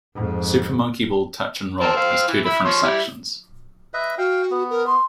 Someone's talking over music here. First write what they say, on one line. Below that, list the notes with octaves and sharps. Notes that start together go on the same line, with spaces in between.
Super Monkey Ball Touch and Roll has two different sections.
F2 G#2
C4 A#4 A5
C4 F5
E3
E5 B5
F3 C#5 C6
G3 E4
B4 D#5 E5
F#4 F5 G5
B3
A#4
C6